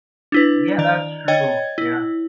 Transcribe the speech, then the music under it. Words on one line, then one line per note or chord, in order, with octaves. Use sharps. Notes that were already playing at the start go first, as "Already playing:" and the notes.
Yeah, that's true. Yeah.
D4 E4 B4
D#3 D5 F7
C#5 D#5 G5 G#6 A6
E4